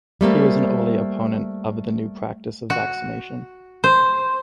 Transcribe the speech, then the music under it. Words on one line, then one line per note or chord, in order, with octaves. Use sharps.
He was an early opponent of the new practice of vaccination.
G3 A3 A#3 C4
F#4
C5